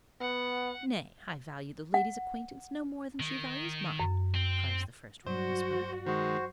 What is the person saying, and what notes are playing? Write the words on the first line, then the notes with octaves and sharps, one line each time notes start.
"Nay, I value the lady's acquaintance no more than she values mine," cries the first woman who spoke.
B3 F#5
F#5
D#3
F#2
C4
G2 F#3 F#4 C5
D#3 G#3 F#4 C5